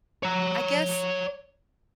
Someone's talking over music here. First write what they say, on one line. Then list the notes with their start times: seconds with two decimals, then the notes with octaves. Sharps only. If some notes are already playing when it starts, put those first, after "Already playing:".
I guess,
0.23 C#5 A#5